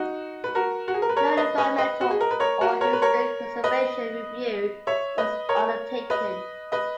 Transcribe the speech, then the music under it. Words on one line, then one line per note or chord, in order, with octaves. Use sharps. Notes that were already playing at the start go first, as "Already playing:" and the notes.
No environmental or historic preservation review was undertaken.
Already playing: D#4 F#4
B4
F#4 A#4
F#4
G#4
A#4
B4
A#4 C#5
B4 D#5
B4 D#5
B4 D#5
F#4
G#4
A#4
B4
A#4 C#5
F#4 A#4
A#4 C#5
B4
A#4 C#5
B4 D#5
C#5 E5
B4 D#5
A#4 C#5
B4 D#5
B4 D#5